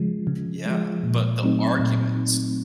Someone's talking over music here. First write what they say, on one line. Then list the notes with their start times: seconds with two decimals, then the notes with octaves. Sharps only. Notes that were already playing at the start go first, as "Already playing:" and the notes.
Yeah, but the arguments
Already playing: C#3 F3 G#3
0.27 C#3
0.66 F3 G#3
1.03 A#2
1.42 F#3 A3 C4 D#4
1.79 A#2